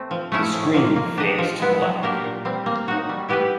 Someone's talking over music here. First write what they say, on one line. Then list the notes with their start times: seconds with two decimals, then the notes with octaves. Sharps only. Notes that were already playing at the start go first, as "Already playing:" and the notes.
The screen fades to black.
Already playing: A3 C4
0.11 F3
0.32 A3 C#4 E4 G#4
0.54 A2
0.74 F3 A#3
0.96 A#3
1.18 D4 G4 B4 D#5
1.38 F3
1.60 G#3 B3 E4
1.82 F#3
2.03 A#3 D4 G4 A#4
2.24 A#2
2.45 G3 C4
2.66 A#3
2.88 D#4 F#4
3.09 G3
3.29 B3 E4 G4 B4